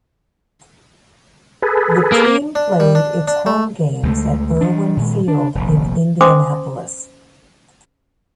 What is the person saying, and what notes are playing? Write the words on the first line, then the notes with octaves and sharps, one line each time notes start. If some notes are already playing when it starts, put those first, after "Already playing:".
The team played its home games at Irwin Field in Indianapolis.
G#4 A4 B4
A#3
D4
G3
D4
D4
A3
D2 G#3 A3
E3 D4
A#2 D#3 G#3
D4
F1 A#1
C#4 C5 G#5 C6 D6 D#6